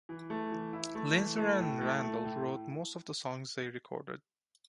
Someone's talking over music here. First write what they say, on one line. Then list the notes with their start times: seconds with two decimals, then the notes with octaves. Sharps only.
Linzer and Randell wrote most of the songs they recorded.
0.09 E3
0.30 A3
0.52 E3
0.73 E4
0.95 A3
1.17 E3
1.38 A3
1.60 A2
1.81 A3
2.03 A3
2.24 A2